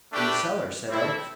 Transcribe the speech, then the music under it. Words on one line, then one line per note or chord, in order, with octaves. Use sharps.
"In the cellar," said Oakes.
A3 D4 G4 B4
G3 C4 E4 A4